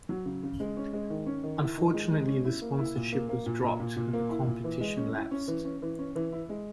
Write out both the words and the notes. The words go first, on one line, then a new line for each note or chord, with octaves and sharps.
Unfortunately the sponsorship was dropped and the competition lapsed.
F#3
C#3
C#3
G#3
C#4
G#3
D#3
C#4
D#3
E4
D#3
G#3
G#3
C#4
E4
A#3
E4
A#2
A#3
A#3
A#2
A#2
A#2
A#2
A#3
E4
A#2
E3
G#3
C#4
E4
C#4
E3
C#4
E3
C#4
E3
E4
G#3